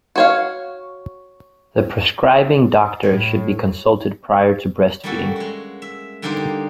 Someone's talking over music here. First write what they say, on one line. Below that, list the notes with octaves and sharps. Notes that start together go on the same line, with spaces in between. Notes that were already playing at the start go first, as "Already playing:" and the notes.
The prescribing doctor should be consulted prior to breast-feeding.
F#4 C#5 F5
A2
G3 A3 A#3 C#4 F#4 A4
G#3 F#4
E5
D3 G3 A#3 D#4 G4 C5